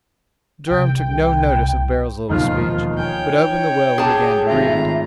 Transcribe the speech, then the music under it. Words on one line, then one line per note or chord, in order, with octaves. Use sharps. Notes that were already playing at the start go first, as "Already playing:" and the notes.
Durham took no notice of Beryl's little speech, but opened the will and began to read.
C2 G5
E1 D#2 F3 D#4 F4 F6
C#5 G5 G#5
F#4 G#4 A5 D6
G#1 A3 F4 E5 A#5